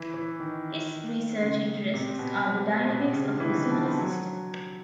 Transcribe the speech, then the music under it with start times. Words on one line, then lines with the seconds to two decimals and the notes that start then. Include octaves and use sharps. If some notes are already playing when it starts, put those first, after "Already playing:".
His research interests are the dynamics of the Solar System.
Already playing: E3
0.14 E3
0.40 D#3
1.42 C#3
1.94 C3
2.19 B2
2.89 B2
2.95 C3
3.13 C#3
3.29 D3
3.40 E3
3.46 D#3
3.71 F3
3.88 F3
3.98 F#3